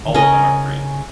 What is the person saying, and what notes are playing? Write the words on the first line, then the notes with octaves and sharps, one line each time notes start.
All of them are free.
D#3
C#3 C#4 A#4 D#5